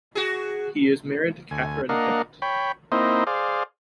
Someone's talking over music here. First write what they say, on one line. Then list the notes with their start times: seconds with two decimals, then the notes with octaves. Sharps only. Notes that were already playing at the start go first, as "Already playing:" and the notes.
He is married to Catherine Kimmitt.
0.15 F#4 G#4
1.51 D2 G#5
1.89 A#3 D4 A#4 D#5 F5 F#5
2.42 C#5 G5 B5
2.92 A#3 C4 D#4 E4 C5 D#5
3.27 G#4 C5 D5 F5